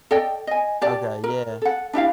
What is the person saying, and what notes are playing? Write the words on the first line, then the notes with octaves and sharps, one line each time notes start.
Okay, yeah.
A4 D5 D#5 G5
D#5 G#5
G4 D5 A5
A#4
A4 F#5
D4 E4 G4 F5